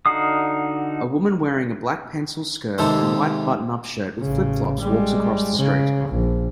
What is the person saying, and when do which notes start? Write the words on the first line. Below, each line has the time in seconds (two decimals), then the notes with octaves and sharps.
A woman wearing a black pencil skirt and white buttonup shirt with flipflops walks across the street.
0.06 D3 D#4 F#4 F5 D#6
2.78 D#2 G#2 C3 A4 C5
4.19 A1 C#3
4.80 G3 G#3
5.56 C#3
6.08 A#1